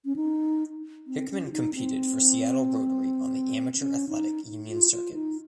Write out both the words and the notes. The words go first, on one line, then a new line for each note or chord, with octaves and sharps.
Hickman competed for Seattle Rotary on the Amateur Athletic Union circuit.
C#4
D#4
C4
C#4
F4
D#4
C4
C4
C#4
D#4
F4
F4
D#4